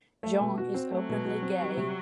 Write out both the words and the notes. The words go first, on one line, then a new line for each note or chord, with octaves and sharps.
Jong is openly gay.
A3
B2
F#4
C4
F#3 A3
B2
F#4
C4
G3
C3